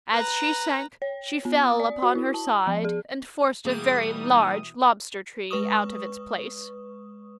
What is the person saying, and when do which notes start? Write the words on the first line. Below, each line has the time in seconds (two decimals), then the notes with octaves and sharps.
As she sank she fell upon her side, and forced a very large lobster-tree out of its place.
0.13 B4 A#5
1.02 C#5
1.45 B3
1.63 D#6
1.80 D5
2.02 F#4
2.15 E4
2.34 A5
2.67 F3
2.85 G#4
3.65 B2 E3 G3 A#3 G#4 D#6
4.18 D#4
5.51 G#3 B4 C#6 D#6